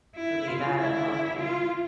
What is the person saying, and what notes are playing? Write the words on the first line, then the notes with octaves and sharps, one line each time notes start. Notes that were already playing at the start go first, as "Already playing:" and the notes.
for me bad, unhealthy.
E4
F4
E4
F4